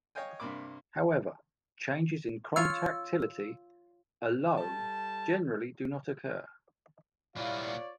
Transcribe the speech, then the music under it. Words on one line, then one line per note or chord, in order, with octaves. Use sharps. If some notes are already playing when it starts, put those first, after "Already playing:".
However, changes in contractility alone generally do not occur.
C#5 D#5 F5 G5 G#5
G2 C3 A#3 B5 D6
F4 C#5 E6
G3 A4 A5
A#2 G3 B3 E4 F4 C#5 D5 F5